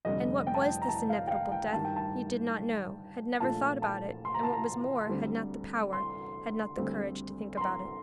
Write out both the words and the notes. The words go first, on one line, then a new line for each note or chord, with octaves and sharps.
And what was this inevitable death--he did not know, had never thought about it, and what was more, had not the power, had not the courage to think about it.
F1 F2 D3 G3 D#5
G5
A5
G5
A#5
A5
F5
G5
F5
G5
G2 D#3 G3 A5
G5
A5
A#1 A#2 F3 A3 A5
A5
C6
A#5
A5
A#5
D2 D3 G3 C4
C6
D2 D3 G3 C4
C6
A#5